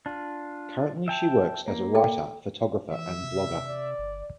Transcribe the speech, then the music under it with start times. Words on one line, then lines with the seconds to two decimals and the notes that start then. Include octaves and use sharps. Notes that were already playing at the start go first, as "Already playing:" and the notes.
Currently she works as a writer, photographer, and blogger.
0.06 D4 F4
1.08 E5 G5 A5
1.68 A#3
1.95 A4 G5
2.91 E3 E5
3.23 C3
3.68 D5
3.98 G1